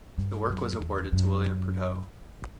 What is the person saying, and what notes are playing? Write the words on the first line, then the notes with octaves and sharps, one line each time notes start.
The work was awarded to William Prudhoe.
G2
F#2
E2
F#2